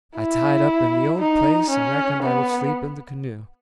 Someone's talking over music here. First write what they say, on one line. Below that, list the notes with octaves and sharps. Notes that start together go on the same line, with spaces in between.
I tied up in the old place, and reckoned I would sleep in the canoe.
E4
D#4
C#4
B3